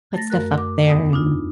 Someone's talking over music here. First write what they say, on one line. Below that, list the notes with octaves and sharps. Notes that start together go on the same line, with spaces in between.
put stuff up there and,
A3 A6 A#6
F#2 A#4 F#6
D6
E2 B3 D#6
D4 D#4 F4